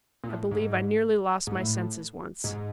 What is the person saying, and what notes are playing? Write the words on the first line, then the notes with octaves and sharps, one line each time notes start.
I believe I nearly lost my senses once.
A#2
A2
G#2
G#2
A2
G#2